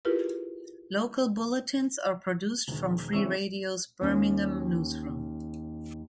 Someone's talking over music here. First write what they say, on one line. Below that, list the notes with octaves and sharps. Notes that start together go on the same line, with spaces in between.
Local bulletins are produced from Free Radio's Birmingham newsroom.
E4 F4 G4 G#4 A#4 B4
E1 D#3
C#3 E3 C4 D4 C#6 E6
D#2 C#4